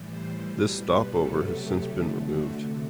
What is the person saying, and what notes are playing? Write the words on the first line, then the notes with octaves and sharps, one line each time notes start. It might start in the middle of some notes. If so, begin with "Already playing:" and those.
This stopover has since been removed.
Already playing: A2 E3 G3
C5
B2 G3
B4
C3 F#3 A3 A4
G4
D3 A3
F#4
C3